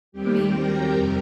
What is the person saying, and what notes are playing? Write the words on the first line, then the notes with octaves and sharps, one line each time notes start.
I mean, he was
D#2 D#3 G3 C4 G4 G5
A#4 A#5
F2 C3 G3